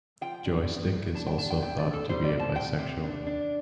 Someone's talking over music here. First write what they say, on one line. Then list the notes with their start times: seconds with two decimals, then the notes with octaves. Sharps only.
Joystick is also thought to be a bisexual.
0.21 F3 G5
0.45 D4
0.68 A2
0.92 A2
1.15 D4 A5
1.27 G5
1.38 D4 A5
1.50 G5
1.62 A2 G5
1.78 D5
1.86 D4
1.93 A4
2.09 G3 C5
2.24 D5
2.32 C3
2.39 A5
2.55 C3 G5
2.78 C3
3.03 D4
3.26 D4